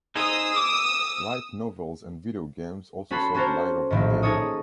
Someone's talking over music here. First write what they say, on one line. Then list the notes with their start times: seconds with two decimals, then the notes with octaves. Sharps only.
Light novels and video games also saw the light of the day.
0.15 D#4 G#4 C5 D#6 E6
0.56 D6
3.11 C#4 F#4 A4 B5 C6
3.34 C#4 F#4 A4 A#4 C5
3.90 A#1 A2 D#3
4.22 D#4 G#4 A4 C#5 D#6